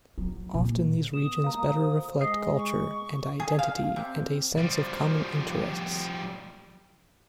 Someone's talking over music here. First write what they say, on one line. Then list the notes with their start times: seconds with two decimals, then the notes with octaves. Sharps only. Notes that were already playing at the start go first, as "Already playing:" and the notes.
Often these regions better reflect culture and identity and a sense of common interests.
0.18 F#3
0.54 A#2
1.14 B3 D#6 E7
1.44 G#3 A#3 F5 A#5
1.74 D2 C5
2.21 G#3 D#5 D#6 C7
2.56 C#6
3.40 G#4
3.59 F5
3.96 C3
4.57 F3 G3